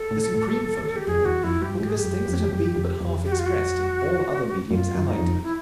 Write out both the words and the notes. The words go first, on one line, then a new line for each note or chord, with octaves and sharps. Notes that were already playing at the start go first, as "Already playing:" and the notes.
The supreme photoplay will give us things that have been but half expressed in all other mediums allied to it.
Already playing: A4
A2
A2
G4
F2 G#4
E2 F#4
F2 E4
G2 G4
G#2 G4
G#4
G4
F#2
F2
F#2
F2
F2
G4
F#4
F4
F#4
F#2 F4
F#2
D#4
F2
E4